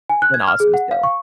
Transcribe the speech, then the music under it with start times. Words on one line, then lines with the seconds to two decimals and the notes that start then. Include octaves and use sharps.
an awesome skill.
0.09 G#5
0.22 F#6
0.34 G#6
0.48 F6
0.60 G#4
0.74 F#5
0.91 F5
1.03 C#6